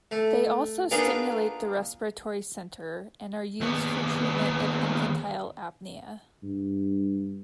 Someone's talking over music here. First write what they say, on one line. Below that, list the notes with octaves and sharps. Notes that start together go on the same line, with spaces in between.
They also stimulate the respiratory centre, and are used for treatment of infantile apnea.
A3
A#3 B3 D4 D#4 F4 G#4
D#2 B3
G2